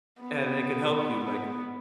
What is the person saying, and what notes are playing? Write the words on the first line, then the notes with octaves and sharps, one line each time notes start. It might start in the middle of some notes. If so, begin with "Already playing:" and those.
and it can help you, like,
B3
B3